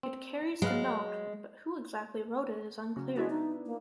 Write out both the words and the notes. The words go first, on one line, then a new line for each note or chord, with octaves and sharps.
It carries the note but who exactly wrote it is unclear.
C4
F#3 G#3 B4 F5
C#3 F#3
B3 D4 E4 F#4
D#4
A#3